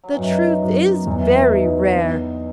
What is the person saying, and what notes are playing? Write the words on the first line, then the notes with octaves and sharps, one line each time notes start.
The truth is very rare.
F#3
E3
F#2 D#3
F#2
E2 E3
D#4
B3